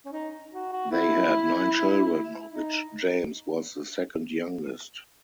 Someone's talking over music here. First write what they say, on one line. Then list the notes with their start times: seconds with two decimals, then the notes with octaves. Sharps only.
They had nine children of which James was the second youngest.
0.05 C#4
0.12 D#4
0.53 F#4
0.72 F#4
0.91 E4
2.51 D#4